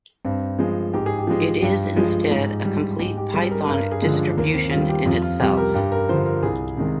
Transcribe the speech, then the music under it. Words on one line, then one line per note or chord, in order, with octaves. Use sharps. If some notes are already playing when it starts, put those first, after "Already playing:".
It is instead a complete Python distribution in itself.
G2 C4
F3 G#3
G#2 G4
G#4
G4
F3 G#3
G2 G4
F3 G#3
G#2
G3
G#2 G4
G4
G3 G#4
A#4
G2 A#4
G#4
D3 F3 G#3
D4
D#2 A#3
C4
D#3 G3 F4
G4
F2 F4
F4
C3 G3 G4
A#4
G2 G4
A#4
D3 F3 C5
A#4
C2 G#4
C3 D#3 G#3